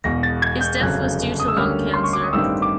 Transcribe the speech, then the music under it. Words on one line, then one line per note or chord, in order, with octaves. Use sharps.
His death was due to lung cancer.
E1 E2 B2 A#6
A6
G#6
G6
G1 F2 C#3 F#3 F#6
D#6
E6
D2 D3 G3 A#3 C#4 F6
C6
C#6
D6
D#6
A1 G2 D#3 G3 C4 E6
D6